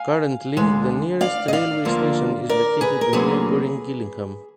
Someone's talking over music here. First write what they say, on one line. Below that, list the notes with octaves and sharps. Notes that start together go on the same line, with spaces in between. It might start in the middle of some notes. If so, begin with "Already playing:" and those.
Currently the nearest railway station is located in neighbouring Gillingham.
Already playing: F5 G#5
D2 D3 G#3
D5 F5
D#5
D5 F5
D2 D3 F3 A#3
A#4 D5
G#4 B4
A#4
D2 D3 F#3 A#3 G#4 B4